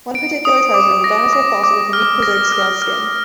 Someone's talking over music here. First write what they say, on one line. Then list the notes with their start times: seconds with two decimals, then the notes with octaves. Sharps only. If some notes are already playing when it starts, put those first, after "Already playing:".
One particular treasure is a dinosaur fossil with unique, preserved scaled skin.
0.15 D7
0.45 D#6
0.74 D6
1.04 A#6
1.33 D6
1.64 D6
1.93 F6
2.23 A#6
2.52 F6
2.82 F6